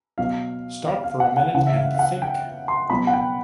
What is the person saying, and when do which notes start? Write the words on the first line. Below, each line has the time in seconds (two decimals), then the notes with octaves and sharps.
Stop for a minute and think.
0.18 B2 F#3 F5
0.86 F5
1.04 F5
1.20 F#5
1.37 F#5
1.54 C#3 E3 F#5
1.67 E5
1.76 F5
1.95 F5
1.99 F#5
2.22 G5
2.68 C6
2.90 B2 F#3 B5
3.07 F#5
3.13 G5